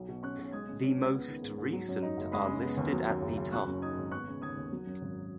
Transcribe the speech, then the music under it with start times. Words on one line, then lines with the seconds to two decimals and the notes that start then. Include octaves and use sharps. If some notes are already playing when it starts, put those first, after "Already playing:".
The most recent are listed at the top.
Already playing: B1 F#3
0.08 B2
0.23 C#4 C#6 F#6
0.38 B1
0.52 G#3 D#6 G#6
0.68 C#3
0.83 C#4
0.98 C#2
1.14 B3
1.28 D#3
1.42 G#2
1.58 G#2
1.73 F#3
1.88 F#2
2.02 D#4
2.17 F#1
2.32 G#3 B5 D#6
2.48 C#3
2.63 B3
2.77 D#2
2.92 F#3
3.07 F#2
3.22 F#1
3.38 F#1
3.52 F#3 C#6 F#6
3.68 F#2
3.82 D#4 D#6 G#6
3.98 G#1
4.12 B3 C#6 F#6
4.27 C#3
4.42 D#2 D#6 G#6
4.57 D#2
4.73 F#3
4.87 F#2
5.01 G#1